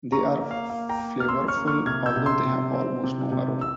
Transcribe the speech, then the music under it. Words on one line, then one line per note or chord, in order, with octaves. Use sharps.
They are flavorful, although they have almost no aroma.
A#3 A#5 C#6
A#3
F5
A#3 F5
G5 A#5
A#3
F6
C#4 C6 E6
C#6 F6
A#3
C#6 F6
C3 F6 G#6
E6 G6
C3
C6 E6
C3
C4
C3
C3
E6